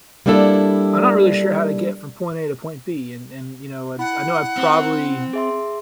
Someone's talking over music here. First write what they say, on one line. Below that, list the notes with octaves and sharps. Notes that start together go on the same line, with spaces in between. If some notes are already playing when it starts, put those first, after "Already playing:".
I'm not really sure how to get from point A to point B. And and, you know, and I know I probably
G3 A#3 D4 E4 A4 D5
E4 F#5 B5
C4
G#4 E5 C6